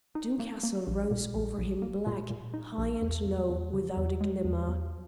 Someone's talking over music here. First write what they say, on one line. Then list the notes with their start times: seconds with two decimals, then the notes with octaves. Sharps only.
Doom Castle rose over him black, high and low, without a glimmer.
0.15 D#4
0.40 A#3
0.63 A#3
0.87 A#1
1.11 A#2
1.35 A#1
1.58 A#1
1.82 A#3
2.07 A#2
2.30 A#2
2.54 D#4
2.78 A#1
3.02 E2
3.26 E2
3.49 E2
3.74 C#3
3.97 E2
4.21 G#3
4.44 E2
4.68 E2